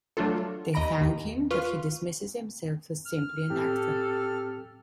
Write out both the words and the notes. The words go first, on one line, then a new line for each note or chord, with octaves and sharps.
They thank him, but he dismisses himself as simply an actor.
F#3 A3 D4 F4 A4
D#2 D#5 A#5 B5 A#6 D7
D#2 D#3
F4 B4 F5 C#6 F6
F6
A2 C4 G4 A4